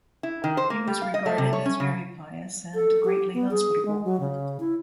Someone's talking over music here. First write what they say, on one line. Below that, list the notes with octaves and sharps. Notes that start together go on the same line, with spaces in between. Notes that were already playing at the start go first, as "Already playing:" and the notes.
He was regarded as very pious and greatly hospitable.
E4
D#3
C5
A#3
G3
F5
D#5
A3
C3
C#5
C#4
C#3
A4
G4
B3
G#4
G#3
F#3
C#3
E4